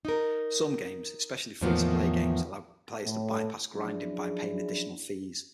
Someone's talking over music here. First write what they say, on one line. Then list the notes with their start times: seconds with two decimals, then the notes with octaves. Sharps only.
Some games, especially free-to-play games, allow players to bypass grinding by paying additional fees.
0.05 D#4 A#4
1.61 E2 A2 D#3 F3 A#3 B3
3.05 A2
3.74 F3 F#3 C#4 D4 E4 G#4